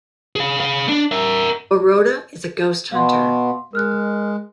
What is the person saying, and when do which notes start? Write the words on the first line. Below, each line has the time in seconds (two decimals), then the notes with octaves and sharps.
"Baroda" is a ghost-hunter.
0.36 G#4 F5
0.60 G#4 F5
0.89 D4
1.12 A#4 E5
2.92 B2 B3 F5 C6
3.73 G#3 A#4 F6 F#6